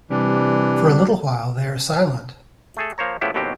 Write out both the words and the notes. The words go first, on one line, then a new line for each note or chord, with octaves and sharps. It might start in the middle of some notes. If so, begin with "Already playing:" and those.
For a little while they are silent.
C3 E3 G3 D4
A3 G#4 A4
F3 A#3 C5 C#5 A#5
A2 C#3 F3 B3 E4 G4
G1 D#2 B2 F#3 C4 G4